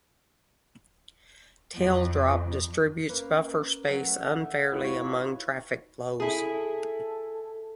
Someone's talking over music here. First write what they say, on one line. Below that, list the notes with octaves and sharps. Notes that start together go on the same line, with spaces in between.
Tail drop distributes buffer space unfairly among traffic flows.
F2
A#3 C#4 A#4 B4
F#3 F#5
A3
G#3 D#4 E4 F#4 B4 F5 B5
C#5
E4 G#4 A4